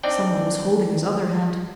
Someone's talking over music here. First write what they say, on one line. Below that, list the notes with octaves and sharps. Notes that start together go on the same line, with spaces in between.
Someone was holding his other hand.
C4 D4 D#4 D5 G5